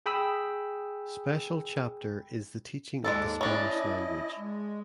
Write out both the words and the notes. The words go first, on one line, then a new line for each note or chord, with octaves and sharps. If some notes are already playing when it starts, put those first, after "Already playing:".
Special chapter is the teaching of the Spanish language.
G#4 G5 B5 D#6 E6
D#2 G#2 G#3 D4 A4
C#4 D4 E4 D5 D#5
G#3